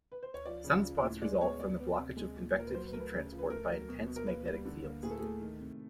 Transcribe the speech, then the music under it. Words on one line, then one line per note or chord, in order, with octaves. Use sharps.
Sunspots result from the blockage of convective heat transport by intense magnetic fields.
B4
C5
C#5
F3 D5
C#3
F3
A2
G#3 D5
B3 C#5
B3 D5
B3
C3
G#3
A#2
A#2 A#4
B4
F#3 C5
B4
A3 A#4
B4
C#3
F3
B4
A3 A#4
F#3
B2
B2
A#4
A#3 B4
G3
D3
A#3
A2 G#4
A4
A3 G#4
D#3
C3